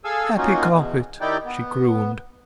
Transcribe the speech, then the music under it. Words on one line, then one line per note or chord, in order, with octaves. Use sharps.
"Happy carpet!" she crooned.
G#4 A4 F5 G#5 E6
A#3 C#4 D#4 F4 F#4
E2 B2
D#3 D#4 E4 G4 D5 G5
B3